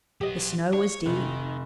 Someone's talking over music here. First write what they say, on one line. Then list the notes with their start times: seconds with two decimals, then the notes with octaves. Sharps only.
The snow was deep.
0.21 F#3 B3 G4 D#5
0.73 D4 C#5
1.06 F1 D#3